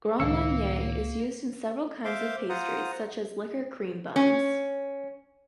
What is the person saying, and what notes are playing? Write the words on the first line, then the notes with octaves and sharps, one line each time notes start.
Grand Marnier is used in several kinds of pastries, such as liquor cream buns.
C#2 A2 D#3 A#3 F5 E6 C#7
C5 E5 F5 C6 D6
F4 C5 F#5 A#5 D#6
C#4